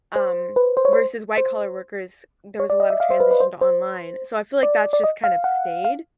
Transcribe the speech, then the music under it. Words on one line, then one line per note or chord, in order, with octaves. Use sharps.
Um, versus white collar workers, there was a lot of transition to online. So, I feel like that's just kind of stayed.
C5
B4
C5
C#5
C5
C5
C#5
D5
D#5
E5
F5
C5
B4
B4
C5
C5
D5
D5
D#5
F5
F#5
F5